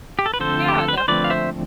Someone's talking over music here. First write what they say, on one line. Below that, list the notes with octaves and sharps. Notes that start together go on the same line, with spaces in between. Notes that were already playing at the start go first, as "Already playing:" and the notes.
Yeah, definitely.
G4
A4
B4
D3 F3 A3 C4 A4 C5
G4
A4
B4
C5
D3 F3 A3 C4 B4 D5
F5
C5 E5